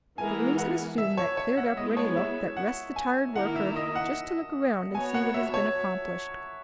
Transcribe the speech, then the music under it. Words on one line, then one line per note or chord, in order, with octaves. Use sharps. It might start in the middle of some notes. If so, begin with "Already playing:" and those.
The rooms had assumed that cleared-up, ready look that rests the tired worker just to look around and see what has been accomplished.
E3 G#3 B3 E4 A#4 G#5
F#5
E5
C#5
C#5
F#5
G#3 B3 E4 G#4 D#5
C#5
E5
F#5
G#5
D#3 A#3 E4 A#4 F#5
E5
D#5
F#5
B3 F#4 C#5 G#5
F#5
E5
C#5